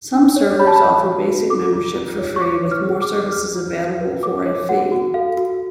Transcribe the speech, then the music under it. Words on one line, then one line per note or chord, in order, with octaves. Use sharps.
Some servers offer basic membership for free, with more services available for a fee.
D4
C#5
C#5 B5
A5
B5
C#5
F#4
F#4
A4 D6
F4
F4
C#5
C#6
C#5 D6
C#5
F6
G#4
D6
G#4
G#4 F6
F4
F4
B4
C#5 D6
C#5
F#4 F#5
F#4
A4 F5
F#4